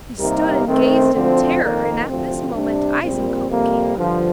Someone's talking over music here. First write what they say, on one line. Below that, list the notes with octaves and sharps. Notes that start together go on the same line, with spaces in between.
He stood and gazed in terror, and at this moment Eisenkopf came by.
C3 G3 A#3 D#4 A#4
D#3 A3 C4
D2 D3 F3 C4
F2 D#3 A#3
D2 C3 F3 C4
C3 G3 D4
A#1 A#2 G3 C4
F2 C3 G3 A#3
G2 D3 F3